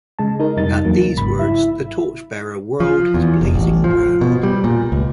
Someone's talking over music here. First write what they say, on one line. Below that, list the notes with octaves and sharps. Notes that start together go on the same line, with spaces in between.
At these words, the torch-bearer whirled his blazing brand.
C#3 G#3 A5
D#4 A#4
F2 C3 G3 D#4 A6
E2 F#3 A#3
G#1 G#2 C#3 B5
E4 E5
F3
E2
F1
A1
F3
B2
G3
A#2
C#2